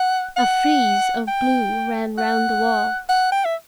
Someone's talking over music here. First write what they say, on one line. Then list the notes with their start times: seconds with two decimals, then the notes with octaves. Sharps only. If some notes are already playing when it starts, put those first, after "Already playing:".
A frieze of blue ran round the walls.
Already playing: F#5
0.37 F#5
1.28 G5
2.18 F#5
3.09 F#5
3.32 G5
3.45 E5